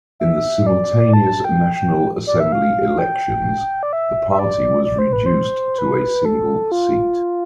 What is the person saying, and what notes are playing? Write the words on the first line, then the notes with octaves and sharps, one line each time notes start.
In the simultaneous National Assembly elections, the party was reduced to a single seat.
E5
D5
A5
G5
G5
D5
E5
F5
G5
D5
E5
E5
D5
D5
C5
B4
C5
B4
A4
F4